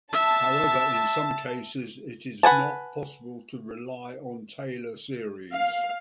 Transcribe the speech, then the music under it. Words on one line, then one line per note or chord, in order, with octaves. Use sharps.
However, in some cases it is not possible to rely on Taylor series.
E5 A5
B4 F#5 G#5 A5
F5